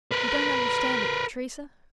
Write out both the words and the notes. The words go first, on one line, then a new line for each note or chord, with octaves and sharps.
"You don't understand it, Teresa?"
A#4 B4